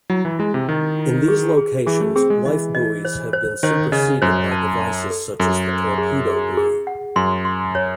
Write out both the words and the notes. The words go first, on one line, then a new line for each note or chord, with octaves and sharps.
In these locations, lifebuoys have been superseded by devices such as the torpedo buoy.
F#3 E4
E3
G#3 E4
C3
D#3 D#5
E4
G#4
G#4
E3 G#4
A3
C4 G#4
G#3
E3 D#5
D#5
C5
C5
D#3 C5
C#3 D#5
F#2 C5
A5
A5
A4
F#2 A4
C5
G#4
G#4
G#4
F#5
F#2 C6
C6
C#5